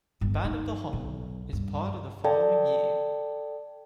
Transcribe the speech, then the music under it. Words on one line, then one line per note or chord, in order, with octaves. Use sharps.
The band of The Hon is part of the following year.
G1
D#4
B1
G2
A4 D5 G5 A5